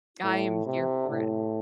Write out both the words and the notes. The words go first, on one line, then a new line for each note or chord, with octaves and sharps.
"I am here for it."
A2
C3
A2